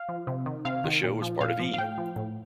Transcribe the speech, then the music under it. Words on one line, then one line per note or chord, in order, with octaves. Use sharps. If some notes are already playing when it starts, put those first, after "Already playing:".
The show was part of E!
Already playing: F5
F3
C3
D#3
C3 F5
D#3
A#2
F3
A#2 F5
F3
F5
A2 G5
F3
A2